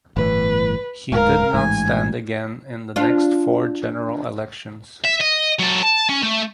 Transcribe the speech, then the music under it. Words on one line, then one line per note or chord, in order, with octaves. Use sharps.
He did not stand again in the next four general elections.
G1 A2 E3 B4
D1 G#2 A#4 F5
A1 G#2 G#5
D4 F4
E5
D#5
F#3 A4
A5
C#4
A3